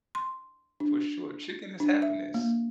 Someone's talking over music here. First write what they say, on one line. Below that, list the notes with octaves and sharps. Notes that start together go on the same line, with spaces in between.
for sure, chicken is happiness.
C6
D4
D4
E5
A#3